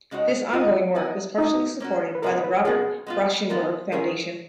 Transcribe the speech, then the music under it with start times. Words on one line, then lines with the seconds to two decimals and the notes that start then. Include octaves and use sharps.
This ongoing work was partially supported by the Robert Rauschenberg Foundation.
0.11 C#3 G#3 D#4 F#4 C#5
0.53 B3 D#4 F4 F#4 A#4 D#5
0.95 B3 D#4 F#4 A#4 D#5
1.38 A#3 C#4 D#4 F#4
1.80 A#3 C#4 F#4
2.15 B4
2.22 C#3 F3 G#3 B3 F#4 A#4
2.44 B4
2.65 C#3 F3 G#3 B3 F#4 G#4
3.07 G#3 B3 F4
3.49 G#3 B3 F4 A#4
3.92 D#3 G#3 C#4 G#4 A#4